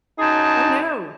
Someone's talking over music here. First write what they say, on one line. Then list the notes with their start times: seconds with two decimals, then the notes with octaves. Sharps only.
Oh, no.
0.19 F#2 D#4 G#4 A5